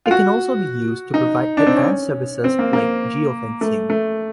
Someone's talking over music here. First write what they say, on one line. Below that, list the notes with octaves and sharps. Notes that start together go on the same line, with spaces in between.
It can also be used to provide advanced services like Geo-fencing.
F4
F#4
D#4
D4
C4
C#4
C4
A#3
A#3
A3
A3